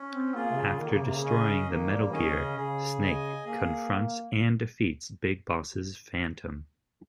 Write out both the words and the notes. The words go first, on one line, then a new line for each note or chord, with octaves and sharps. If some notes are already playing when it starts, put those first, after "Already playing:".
After destroying the Metal Gear, Snake confronts and defeats Big Boss's phantom.
Already playing: C#4
C4
A#3 F4 G#4
C3
C#3
D#3 A#3
C#3
C3
C#3
C#4 G#4 D#5
D#3 A#3
G3
D#3 C#4 G#4 D#5
C#3
C#3 G#4
D#5 G#5
A#3 G#4